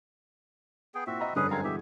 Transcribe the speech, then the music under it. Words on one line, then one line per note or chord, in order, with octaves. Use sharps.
M Yeah.
B3 G#4 G5
A#2 C4 E4 F#4 E5
D#5 A#5 B5
G2 D3 C#4 G#4 B4 D#6
G#3 C4 F5 G#5 A#5 G#6
B2 E3 G#3 G4 E5